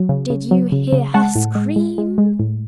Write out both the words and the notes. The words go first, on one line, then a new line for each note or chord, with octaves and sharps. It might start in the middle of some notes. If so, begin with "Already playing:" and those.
Did you hear her scream?
Already playing: F#3
C#3
C#3
F#3
C#3
C#3
G#3 F#5 A5
A2
G#3
G#3
G#3
G#3
A2